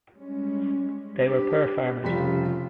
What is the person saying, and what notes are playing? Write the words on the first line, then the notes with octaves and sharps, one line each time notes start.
They were poor farmers.
G3 G#3 C#4
D4 G4 B4
F1 C#3 G3 F4 B6